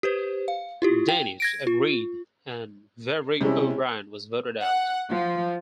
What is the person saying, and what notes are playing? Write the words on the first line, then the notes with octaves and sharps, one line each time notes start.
Dennis agreed and Vavrick-O'Brien was voted out.
G4 B4 C5
F5
E4 F4 G4
G5
G#6 A#6 D7
F4
C3 G3 G#3 C#4 E4
F#5
F3